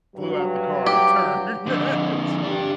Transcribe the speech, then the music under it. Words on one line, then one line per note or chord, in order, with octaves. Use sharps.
flew out the car on a turn. Its
G2 F#3
G4
F2 D3
D4 G4